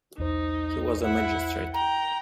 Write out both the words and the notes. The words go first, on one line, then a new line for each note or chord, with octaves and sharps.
He was a magistrate.
B1 E2 D#4 C5
E4 F#5
G5 A#5